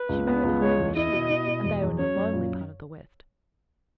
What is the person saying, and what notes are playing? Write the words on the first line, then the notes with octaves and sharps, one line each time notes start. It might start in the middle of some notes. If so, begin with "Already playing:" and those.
She married a home missionary, and they are in a lonely part of the west.
Already playing: B4
C#2
B3
C#2
G#3 C#5
E2
E4 D#5
B2
E4
B2
E2
E2
C#4 C#5
F#2
A#2